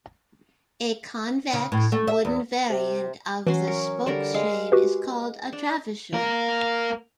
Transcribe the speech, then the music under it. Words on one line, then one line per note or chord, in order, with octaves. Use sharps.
A convex, wooden, variant of the spokeshave is called a travisher.
C#3
A2
A3
E5
E2
C3
E3 F#3 C#4 C6
A#4 C#5
D3 G3 A#4
G#3 F5
F#4 G4 B4
D4
A#3 A#4